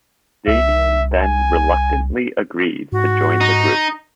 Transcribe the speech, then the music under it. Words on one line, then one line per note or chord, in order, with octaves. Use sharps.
Damian then reluctantly agrees to join the group.
C2 E5
G#5
G#2 F#4
D#4